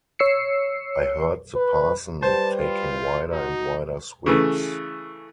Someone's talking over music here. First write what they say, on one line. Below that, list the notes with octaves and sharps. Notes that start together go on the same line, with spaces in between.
I heard the parson taking wider and wider sweeps.
C#5 E6 C7 C#7
B4
G3 G4 B4 C5 A5
F4
D#4 F#4
C#3 E3 A3